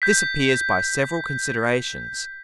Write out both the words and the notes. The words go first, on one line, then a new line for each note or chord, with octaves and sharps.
This appears by several Considerations.
G6 B6